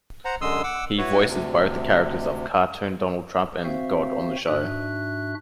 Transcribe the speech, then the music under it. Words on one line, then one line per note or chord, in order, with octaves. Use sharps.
He voices both the characters of "Cartoon Donald Trump" and "God" on the show.
C5 F#5 A#5
F#2 D3 G#3 C6 D#6 E6
F#5 D6 E6
E4 F#4 B4 C#5
D2 C3
C4 F#4 C5 E5 F5
G#2 D4 F#4 E5 F#6